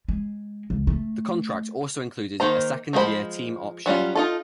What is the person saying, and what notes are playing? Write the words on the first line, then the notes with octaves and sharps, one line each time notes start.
The contract also included a second-year team option.
G#3
C#2
A3
D#3 A#3 C5 A#5
F3 G#3 F#4 C5 B5
F#3 G3 C#4 F4
D#4 F4 A4